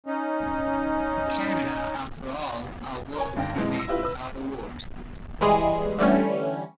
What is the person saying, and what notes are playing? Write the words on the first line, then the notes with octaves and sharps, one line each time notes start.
Canada, after all our work remained without a vote.
C#4 D#4
A#4 C#5 G#5
G#1 G2 D3 G5 A#6
F#2 B2 E3 G#3
E6 A#6
E4 F4 G4 B4 E5
B4 E6
E3 G3 G#3 G#4
D3 E3 G3 A3 C#4